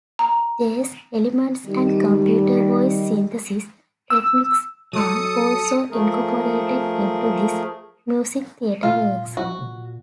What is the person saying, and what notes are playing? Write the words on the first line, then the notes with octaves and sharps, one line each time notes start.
Jazz elements and computer voice synthesis techniques are also incorporated into his music-theater works.
A#5
D#3 G3
E6
F#3 A4 D#6 C#7
F3 A3 G#4 A#4
A#2 F4
F3 F#4
A#2